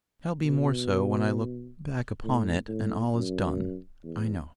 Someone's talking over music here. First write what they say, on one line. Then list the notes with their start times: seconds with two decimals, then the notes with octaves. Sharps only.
I shall be more so when I look back upon it, and all is done, I know.'
0.43 B2
2.24 A2
2.68 A2
3.14 F#2
4.04 E2